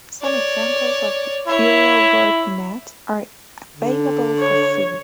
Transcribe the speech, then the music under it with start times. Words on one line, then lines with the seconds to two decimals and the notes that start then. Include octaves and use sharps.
Some examples of EuroWordNet are available for free.
0.22 C#5 D5
1.48 E4 C#5
3.76 D3
4.40 C#5